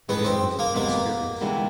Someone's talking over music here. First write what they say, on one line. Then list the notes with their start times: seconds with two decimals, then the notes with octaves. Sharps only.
Madame was in high spirits.
0.08 A2 E3 G#3 B3 C#4
0.25 C4
0.59 A#3
0.74 D2 C3 E3 G#3 A#3 B3
1.41 D2 C3 E3 G#3 B3